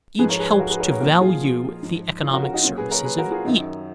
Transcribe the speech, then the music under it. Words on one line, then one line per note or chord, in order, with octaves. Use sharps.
Each helps to value the economic services of each.
G#2 F3 G#4 B4
A#4 C#5
G#4 B4
G#4 B4
F#4 A#4
G#4 B4
A#4 C#5
A#4 C#5
A#2 F3 F#4 A#4
F4 G#4
G#2 F3
C#4 F4
F#4 A#4
F#4 A#4
D#4 F#4
A#2 F#3 C#4 F4
G#4 B4
A#4 C#5
G#4 B4
F#4 A#4
F4 G#4
F#2 D#3 F#3 D#4